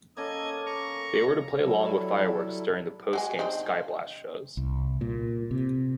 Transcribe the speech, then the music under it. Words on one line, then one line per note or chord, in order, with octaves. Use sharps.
They were to play along with fireworks during the post-game "Skyblast" shows.
A#3 C#4 A4 D#5 G#6
A#5 C#6
F#3 G3 E4 A4
F#3 G#3 G#5
C4 D4 D#4
C2
A#2
C3